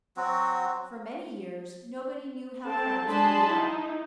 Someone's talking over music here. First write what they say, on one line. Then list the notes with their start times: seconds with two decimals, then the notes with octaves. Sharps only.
For many years nobody knew how Crabs grew up.
0.17 F#3 C4 F#4
2.66 C4 A4 A5
3.08 G#3 D4 G#4 A5 B5 C6
3.48 D#4 E4